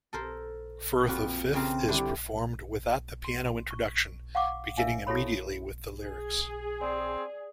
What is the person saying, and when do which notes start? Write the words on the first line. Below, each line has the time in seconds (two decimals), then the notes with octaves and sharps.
"Firth of Fifth" is performed without the piano introduction, beginning immediately with the lyrics.
0.13 A4 A#4 C5
1.07 F2 A#2 F3 F#4 B5
1.54 C#3 E3 C4 A#4
1.88 D3 G3 D4 E4
3.24 C6
3.71 C#6
4.35 F5 F#5 C#6 D6
4.77 D4 A#4 D5 E5 F5 G#5
5.07 E4 F#4 G4 A4 C#5 B5
6.01 G#4
6.81 C4 D5